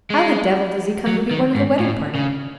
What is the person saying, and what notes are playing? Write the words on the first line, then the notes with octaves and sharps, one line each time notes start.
"How the devil does he come to be one of the wedding party?"
G#3
F#3
D#3
G#2
A2
C#3